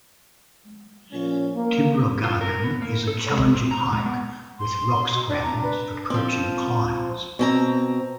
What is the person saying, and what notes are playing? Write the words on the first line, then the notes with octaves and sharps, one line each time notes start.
Tibrogargan is a challenging hike with rock scrambles approaching climbs.
A#2 F3 C#4
A#3
F4
A#4
B3
A#3
A4
G#3
C4
A#5
G#3
B3
C6
B2
D4 D5
A#5
B4
F3 C4
B2 C4 A#5